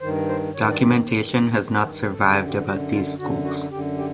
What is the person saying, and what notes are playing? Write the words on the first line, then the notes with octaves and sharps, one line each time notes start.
Documentation has not survived about these schools.
G2 D#3 C5
C5
G2 D#3 C#5
D5
C#5
G2 D#3 C5
G2 D#3
F#2 D3 A4
G#4
G4
F#2 D3 F#4
F4
F#2 D3 F#4
F#4
F#2 D3 G4
G4